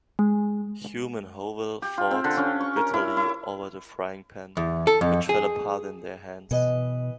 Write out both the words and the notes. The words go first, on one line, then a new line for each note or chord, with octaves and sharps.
Hume and Hovell fought bitterly over the frying-pan, which fell apart in their hands.
G#3
G4
F4
C4
D3
C#4
C#6
A#4
E4
E4
E2
A4
F2
G#4
B2 E3 B4 D#5